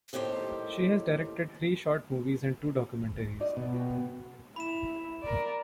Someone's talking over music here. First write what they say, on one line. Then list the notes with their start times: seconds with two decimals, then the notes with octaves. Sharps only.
She has directed three short movies and two documentaries.
0.13 D#2 A2 D#3 G4 C5
3.40 D#4 F#4 D5
3.57 B2
3.73 F#4 B4 G5
4.56 E4 B5 E7
5.23 A#4 D5